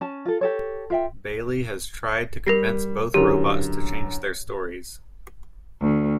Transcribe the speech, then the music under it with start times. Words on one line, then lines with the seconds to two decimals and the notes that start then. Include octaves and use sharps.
Baley has tried to convince both robots to change their stories.
0.01 C#4 A5
0.25 F4 A4
0.41 G4 A4 C#5
0.90 F4 E5 G5
2.47 G3 A#4 A#6 C7
3.14 F#2 D3 E3 G4 A#4
5.81 D2